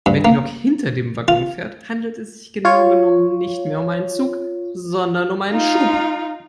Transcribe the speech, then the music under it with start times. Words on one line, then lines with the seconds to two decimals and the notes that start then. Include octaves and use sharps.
Wenn die Lok hinter den Waggons fährt, handelt es sich genau genommen nicht mehr um einen Zug sondern um einen Schub.
0.06 G2
0.25 A#3
1.28 F4
2.65 F4 C#5
5.51 D#4 F4